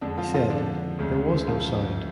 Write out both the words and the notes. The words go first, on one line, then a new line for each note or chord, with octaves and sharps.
He said: There was no sound!
F2 D3 G#3 D4
F3 F4
F3 F4
D3 D4
D2 C#3 G#3
F3 F4